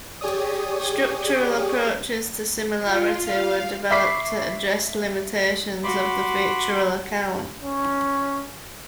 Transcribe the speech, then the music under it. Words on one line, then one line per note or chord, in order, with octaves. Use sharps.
Structural approaches to similarity were developed to address limitations of the featural account.
G4 G#4 C#5 D5 D#6
F4
F5
E5 B5 C#6 D6 B6 C7
F#4 B5 C6 D6
C#4